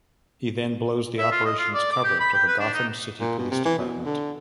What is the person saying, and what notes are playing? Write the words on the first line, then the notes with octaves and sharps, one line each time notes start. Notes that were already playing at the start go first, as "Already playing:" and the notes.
He then blows the operation's cover to the Gotham City Police Department.
E5
F4
D#5
F4
D5
D6
G4
B5
G5
B4
D4
D#4
A#2
B2
C3
E3
B2
D3